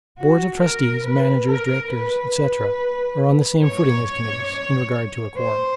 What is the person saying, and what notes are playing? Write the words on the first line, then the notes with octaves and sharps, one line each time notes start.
Boards of Trustees, Managers, Directors, etc., are on the same footing as committees, in regard to a quorum.
F#4
A#4
B4
A#4
B4
C#5
C5